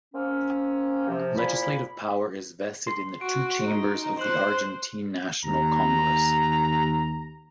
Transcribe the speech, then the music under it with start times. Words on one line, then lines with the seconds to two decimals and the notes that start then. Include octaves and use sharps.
Legislative power is vested in the two chambers of the Argentine National Congress.
0.14 A#3 C4 C#4
1.08 C3 F3
1.37 A#2 F3 E4 B5
2.87 C6 C7
3.21 F#4 D7
3.65 D#4
4.19 C5 C6 F#6 F#7
5.45 D#2 A#5